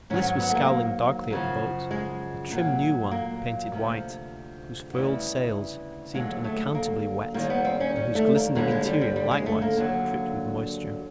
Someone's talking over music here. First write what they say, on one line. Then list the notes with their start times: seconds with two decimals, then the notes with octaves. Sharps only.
Bliss was scowling darkly at the boat, a trim new one, painted white, whose furled sails seemed unaccountably wet and whose glistening interior likewise dripped with moisture.
0.10 G#2 D#3 F#3 C#4
0.40 B3
0.50 A3
0.55 A#3
1.30 F#2 C#3 F3
1.91 G#3
2.52 A#2 F#3
3.11 A#3
3.72 D2 C3 F3
4.93 D2 C#3 E3 G3
6.13 D#2 D3 F#3 G#3
6.44 A3
6.75 A#3
7.34 D#2 D#3 G3 A#3
7.50 B3
7.65 C4
7.80 C#4
7.96 C#4
8.15 A3
8.35 A#3
8.55 D#2 D3 G3 G#3
8.71 G#3
8.86 G3
9.01 G3
9.16 G3
9.31 G#3
9.46 A3
9.62 A#3
9.77 D#2 D3 F#3